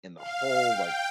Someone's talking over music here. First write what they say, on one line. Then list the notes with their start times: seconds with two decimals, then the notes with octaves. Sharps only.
and the whole, like,
0.17 F5
0.69 G5